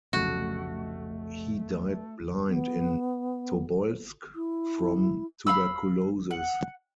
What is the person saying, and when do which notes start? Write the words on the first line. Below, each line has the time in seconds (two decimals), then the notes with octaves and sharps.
He died blind in Tobolsk from tuberculosis.
0.13 F1 B1 C#3 A3 F#4
2.47 B3
4.35 E4
5.47 F5 B5 E6
6.31 F#5